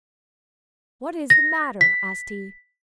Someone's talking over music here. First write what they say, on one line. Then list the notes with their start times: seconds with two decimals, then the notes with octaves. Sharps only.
'What is the matter?' asked he.
1.30 A#6
1.81 B6